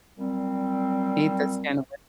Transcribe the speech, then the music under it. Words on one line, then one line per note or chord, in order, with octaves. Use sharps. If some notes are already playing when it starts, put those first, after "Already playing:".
Eat the skin with
A#2 F#3 G3 C4